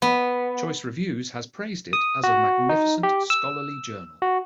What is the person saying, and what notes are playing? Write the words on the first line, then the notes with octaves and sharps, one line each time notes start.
Choice reviews has praised it as "a magnificent scholarly journal".
B3
D#6
F#4
D#4
G4
E6
F#4